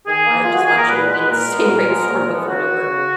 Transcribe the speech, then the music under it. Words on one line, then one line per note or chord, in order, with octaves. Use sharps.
aren't just watching, you know, the same rainstorm over and over.
D#3 G#4
A#3
D#3 F4
F#4
A#3 G#4
A#4
A#2 B4
G#3 B3 B4
A#2 A#4
G#3 B3
A#2
F3 G#3 B3
A#2
F3 G#3 B3
C#3 F#4
F#3 B3
C#3